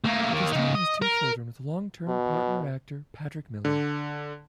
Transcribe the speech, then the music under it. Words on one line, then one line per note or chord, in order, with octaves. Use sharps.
Justine has two children with long-term partner actor Patrick Mille.
A3 A#3
D#3 A#3
C#3 D#4
D#5
A#4
B2
D3